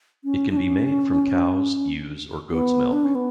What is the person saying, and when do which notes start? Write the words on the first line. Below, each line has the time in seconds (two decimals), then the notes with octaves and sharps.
It can be made from cow's, ewe's, or goat's milk.
0.24 C#4
0.51 D4
0.57 C#4
2.51 B3
2.92 D4
3.04 C#4
3.15 B3